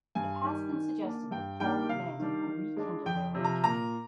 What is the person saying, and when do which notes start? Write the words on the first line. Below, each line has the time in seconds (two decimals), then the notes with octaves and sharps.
It has been suggested that Paul and Mandy will rekindle their relationship.
0.15 G2 G#5
0.44 D#3 G3
0.72 D#3
1.02 A#3 D4
1.31 G2 G5
1.60 D#3 G3 A#3 D4 G5
1.89 C3 F5
2.19 D#3 G3 D4
2.47 D#3
2.76 G#3 D4
3.05 F2 G5
3.35 C3 F3
3.44 A#5
3.64 A#2 A#5